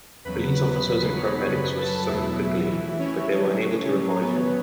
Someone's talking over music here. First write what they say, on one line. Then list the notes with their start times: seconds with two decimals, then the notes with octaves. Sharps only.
Police officers and paramedics were summoned quickly, but they were unable to revive him.
0.25 E2 C#3 F#3 B4 B5
0.55 B4 B5
0.86 E2 B2 F#3 B4 B5
1.17 C#5 C#6
1.46 F#2 C#3 F#3 B4 B5
1.77 A4 A5
2.07 E2 B2 F#3 E4 E5
2.68 A2 E3
2.99 C#4 C#5
3.29 A2 F#3
3.90 A2 F#3
4.20 B3 B4